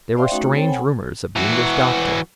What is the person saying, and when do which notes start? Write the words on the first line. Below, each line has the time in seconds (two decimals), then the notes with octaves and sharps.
There were strange rumours of the English doctor.
0.17 C5 D5 E5 F5 G5 C6
0.32 A3 C#4 D#4 F#4
0.53 C4 A4 C5 C#5 G5
0.68 F#5 G#5 B5
1.36 E3 F#4